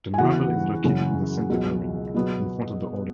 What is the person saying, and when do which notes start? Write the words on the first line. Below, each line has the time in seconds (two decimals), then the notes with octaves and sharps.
The marble is located in the center arena in front of the old entrance.
0.14 G#5
0.18 E2 C#3 E3 B3 F#4 F#5
0.84 F#2 C#3 E3 C#4
1.50 C#2 B2 F#3
2.14 B2 F#3 B3